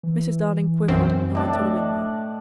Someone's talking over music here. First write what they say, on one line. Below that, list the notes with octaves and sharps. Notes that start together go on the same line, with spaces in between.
Mrs. Darling quivered and went to the window.
E3
B1 F#2 C4
A2 D4 D#5 A5